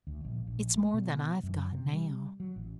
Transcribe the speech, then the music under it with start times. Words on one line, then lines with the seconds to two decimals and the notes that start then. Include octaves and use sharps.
It's more than I've got now.
0.07 D2
0.25 A#1
0.47 A#1
0.76 A3
0.94 B2
1.43 F#2
1.72 C3
1.93 G3
2.40 F#3
2.56 A1